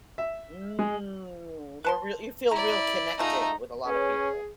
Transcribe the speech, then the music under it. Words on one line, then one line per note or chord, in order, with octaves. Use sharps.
Mm. You're real you feel real connected with a lot of people.
E5
G#3
B4 A5 C6
E4 D5 A#5
A3 D#4 F4 G#4 A#5
C#4 G#4 B4 C#5